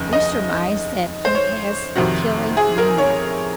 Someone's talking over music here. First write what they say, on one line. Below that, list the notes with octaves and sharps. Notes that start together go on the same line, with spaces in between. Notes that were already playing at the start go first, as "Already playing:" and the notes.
We surmise that he has the killing mania.
Already playing: F1 D#2 C#3
D#5
C5
C#5
F2 C3 D#3 F#4
G#4
A#4
C#5